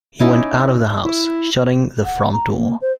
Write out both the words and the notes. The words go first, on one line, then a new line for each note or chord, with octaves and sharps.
He went out of the house, shutting the front door.
C#4 D#4 E4 D6
E4
F#5
A#5
A#3
C5